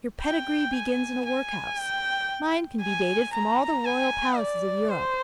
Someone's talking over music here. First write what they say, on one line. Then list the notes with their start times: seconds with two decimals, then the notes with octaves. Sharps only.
Your pedigree begins in a workhouse; mine can be dated from all the royal palaces of Europe.
0.21 G5
0.72 G#5
1.25 G#5
1.77 G5
2.82 G#5
3.33 A#5
3.85 G#5
4.37 D5
4.89 C5